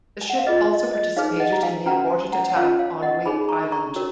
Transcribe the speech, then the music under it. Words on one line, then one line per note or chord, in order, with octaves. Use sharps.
The ship also participated in the aborted attack on Wake Island.
G#5
F#5
F5
F4 G#4 B4 D#5
D#5
D#5
D#4 G#4 B4 C#5 F5
D#5 F#5
A#5
F5 G#5
C#4 F#4 B4 F#5 A#5
F#5 A#5
F#5
C#4 F4 B4 C#5 F5
C#5 F5
D#5 F#5
D#4 G#4 C#5 G#5 B5
A#5 C#6
A#5 C#6
C#4 F#4 A#4 C#5